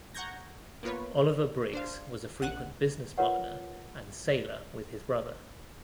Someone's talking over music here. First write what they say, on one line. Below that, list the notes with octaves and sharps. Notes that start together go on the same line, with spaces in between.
Oliver Briggs was a frequent business partner and sailor with his brother.
F#5 A#5 C#6 G6 G#6 A#6
A#3 B3 F4 B4 C#5
D4 C5 F5
A#1 F#5 F#6
F4 A#4 B4 C#5 F#5